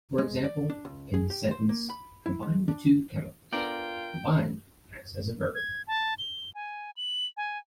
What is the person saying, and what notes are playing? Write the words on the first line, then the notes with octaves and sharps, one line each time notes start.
For example, in the sentence "Combine the two chemicals," "combine" acts as a verb.
G#3
D5
D4
C#2
G#4
G4
C5
A#3
B5
E4
G#3
D4
B3 D4 F4 A4 A#4 D5 G5
G#6
A5
G7
G#5
F#7
G#5